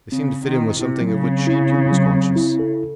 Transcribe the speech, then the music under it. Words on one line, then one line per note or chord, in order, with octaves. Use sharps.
They seemed to fit in with something of which she too was conscious.
C#3 C4
C4
D#3
E4
C3 E4
F#3
C#3
C4
E4
C4
F#3
C4
E4
A4